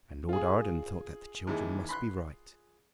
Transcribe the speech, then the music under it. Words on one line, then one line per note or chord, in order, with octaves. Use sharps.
And Lord Arden thought that the children must be right.
F4 G#4
D#2 E3 G#3
B5 C6 F#6